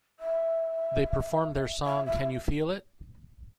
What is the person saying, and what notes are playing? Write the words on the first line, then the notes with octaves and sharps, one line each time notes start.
They performed their song Can You Feel It?
E5
E5
E5